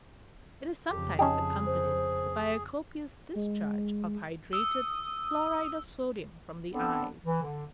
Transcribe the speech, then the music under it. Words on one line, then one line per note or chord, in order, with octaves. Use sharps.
It is sometimes accompanied by a copious discharge of hydrated chloride of sodium from the eyes.
F2 C#3 G4
C#4 D#4 G4 G#4 A5
C5
G#3
D#6 E6
B3 C4 D4 A4
E3
D3